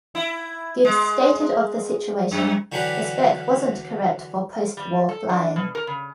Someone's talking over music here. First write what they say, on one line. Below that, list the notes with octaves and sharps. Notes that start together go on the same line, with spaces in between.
Gibbs stated of the situation: the spec wasn't correct for post-war flying.
E4
G#3
F#2
D3 E3 F#3 D4 G4 B4
G3
A4
D4
B2
A#4
C#3